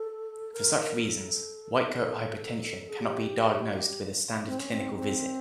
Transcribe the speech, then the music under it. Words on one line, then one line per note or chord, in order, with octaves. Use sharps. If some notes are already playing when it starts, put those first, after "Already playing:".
For such reasons, white coat hypertension cannot be diagnosed with a standard clinical visit.
Already playing: A4
A#4
A#4
A4
G#4
G4
G4
C4
C#4
C4
C4